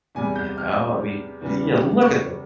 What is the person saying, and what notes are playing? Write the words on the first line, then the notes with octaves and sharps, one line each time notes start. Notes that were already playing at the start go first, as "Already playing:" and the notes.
You know? We, eh, yeah, look at the
E2 C3 G3 G#5
G6
F6
E2 C#3 E3 G3
C#6